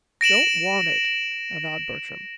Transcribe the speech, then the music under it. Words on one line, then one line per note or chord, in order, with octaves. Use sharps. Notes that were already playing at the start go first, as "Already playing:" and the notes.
"Don't want it," avowed Bertram.
A#6 D7 E7 F#7